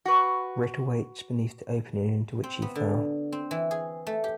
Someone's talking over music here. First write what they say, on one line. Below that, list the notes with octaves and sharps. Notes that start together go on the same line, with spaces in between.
Rick awakes beneath the opening into which he fell.
F#4 B4
C4
B3
D3
C4
E3
G#4
A3
G4